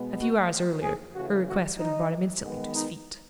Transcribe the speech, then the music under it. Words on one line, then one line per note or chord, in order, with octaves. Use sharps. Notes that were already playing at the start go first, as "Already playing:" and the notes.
A few hours earlier, her request would have brought him instantly to his feet.
Already playing: B2 G#3 B3
F#4
G#4
C#3 E3 A3 F#4
F#4
D#4
D#3 G#3 B3
D#4